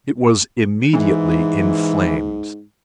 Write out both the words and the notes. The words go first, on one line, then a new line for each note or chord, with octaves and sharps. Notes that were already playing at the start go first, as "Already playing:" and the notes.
It was immediately in flames.
G#2 E3